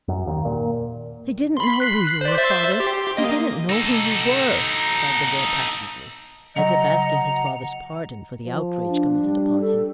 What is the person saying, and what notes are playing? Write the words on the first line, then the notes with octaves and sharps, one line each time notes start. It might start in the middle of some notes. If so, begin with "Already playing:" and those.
"They didn't know who you were, father; they didn't know who you were," cried the boy passionately, as if asking his father's pardon for the outrage committed upon him.
F#2
D#2
A#2
B5 C6
F#6 B6 C7
C5 D5
C5 E5 A6
G4 C6
A#3 D#5
D#4 A4
C#3 F#3 D#5 F#5 A#5
F3
D4
G3
A4